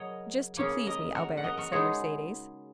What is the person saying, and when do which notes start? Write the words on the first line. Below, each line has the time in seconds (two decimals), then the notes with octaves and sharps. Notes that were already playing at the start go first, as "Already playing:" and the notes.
"Just to please me, Albert," said Mercedes.
Already playing: C#3 F#3 C#4 A#4 C#5 D#5
0.57 C#3 A#3 C#4 G#4 C#5
0.87 A#4 D#5
1.15 F#4 A#4
1.37 F#5
1.44 A#4 D#5
1.57 F#4 A#4
1.72 C#3 G#3 D#4 G#4 C#5